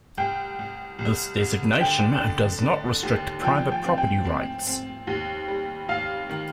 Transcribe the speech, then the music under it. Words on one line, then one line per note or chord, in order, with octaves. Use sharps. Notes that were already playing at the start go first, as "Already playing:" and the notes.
This designation does not restrict private property rights.
C2 G5
C2
C2
C2
D3 G5
D3
D3
D#2
F3 G5
G5
C4
G5
C4
C4
D#2
G3
D#2 F5
D#3